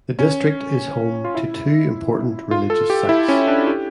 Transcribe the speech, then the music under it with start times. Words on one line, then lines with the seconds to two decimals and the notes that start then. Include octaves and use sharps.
The district is home to two important religious sites.
0.19 C#4
1.25 F4
1.35 E4
2.51 F4
2.70 A4
2.90 G4
3.09 E4
3.28 C#4
3.48 D4
3.67 G4